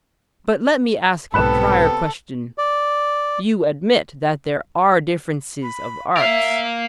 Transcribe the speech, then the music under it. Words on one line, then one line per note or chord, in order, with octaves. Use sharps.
But let me ask a prior question: You admit that there are differences of arts?
B1 G#2 C3 B3 A4 B5 F#6 E7
D5
B5
A#4 E5 F5